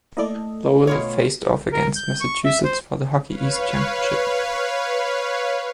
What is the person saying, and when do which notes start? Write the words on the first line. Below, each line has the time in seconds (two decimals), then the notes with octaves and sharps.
Lowell faced off against Massachusetts for the Hockey East championship.
0.17 A3 A#3 E4 A4 D5 D#5
0.87 B2 F4 C#5
1.72 A#4
1.96 G6
2.21 C#6
2.45 E5
2.64 C5
3.27 B4 C#5 F5